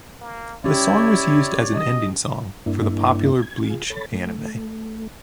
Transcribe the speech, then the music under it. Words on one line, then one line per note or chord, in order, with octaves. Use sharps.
The song was used as an ending song for the popular "Bleach" anime.
A#3
C#4 E4 G4 C#5 D5
D#5
G2 A#3 D4 E4
G#6
F4 G#4
A4 C#5 B5 A6
A3